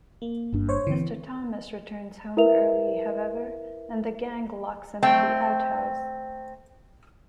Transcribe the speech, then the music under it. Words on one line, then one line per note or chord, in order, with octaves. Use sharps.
Mr. Thomas returns home early, however, and the gang locks him in the outhouse.
A#3
G1 G2 D4
C5 C#5
D3 E3 C4
E4 A#4 B4 E5 F7
A3 C4 G5